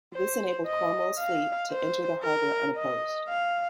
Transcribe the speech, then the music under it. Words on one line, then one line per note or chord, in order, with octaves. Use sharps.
This enabled Cromwell's fleet to enter the harbour unopposed.
C5
D#5
F5
C5
A#4
D#5
F5